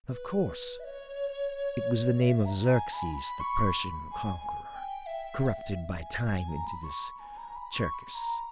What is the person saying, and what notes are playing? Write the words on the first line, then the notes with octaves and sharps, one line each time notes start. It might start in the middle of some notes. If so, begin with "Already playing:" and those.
Of course--it was the name of Xerxes, the Persian Conqueror, corrupted by time into this--Cherkis.
B4
E5
C#5
E5
A#5
G#5
B5
B5
C#6
B5
G#5
G#5
G#5
G5
E5
G5
E5
G#5
G#5
A#5
B5
C#6
B5
G#5
A#5
B5
C#6
C#6
B5
A#5